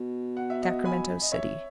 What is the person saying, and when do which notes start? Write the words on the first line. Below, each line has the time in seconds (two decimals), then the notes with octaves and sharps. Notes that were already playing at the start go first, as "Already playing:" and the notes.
Sacramento City.
Already playing: B2
0.37 F#5
0.50 E5
0.62 D#5 F#5
0.85 G#5 B5
1.22 D#5
1.32 C#5 E5